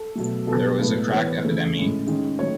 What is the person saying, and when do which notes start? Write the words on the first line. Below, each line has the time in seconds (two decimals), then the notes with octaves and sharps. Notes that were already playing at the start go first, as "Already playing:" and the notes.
There was a crack epidemy.
Already playing: A4
0.15 B2 F#3 A3
0.47 B2 F#3 B3 A4
0.79 A2 G#3 B3
1.11 E3 B3 C#5
1.44 C#3 E3 A3
1.75 A2 G#3 C#4
2.07 D#3 G#3 C#4
2.39 D#3 F#3 A3 C#5